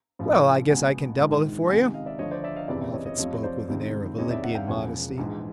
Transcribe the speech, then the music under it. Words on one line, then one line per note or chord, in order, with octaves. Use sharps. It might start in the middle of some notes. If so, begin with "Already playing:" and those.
"Well, I guess I can double it for you." Moffatt spoke with an air of Olympian modesty.
A1 A2 F3
C#2 B2 F#5 G#5
A#1 G#2 D#3
C#2 C3 D#3 F#5 G#5
D#5 F5
D5 E5
D2 D3 F3 C#5 D#5
C5 D5
D5 E5
D#5 F5
F#1 E2 C3 E3 D5 E5
D5 E5
C#5 D#5
C#5 D#5
F1 F2 C3 F3 C#5 D#5
C5 D5
C#2 C3 D#3
E2 C3 D#3 C#5 D#5
D5 E5
E5 F#5
F5 G5
E1 E2 C#3 F3 F#5 G#5
A#1 G#2 E3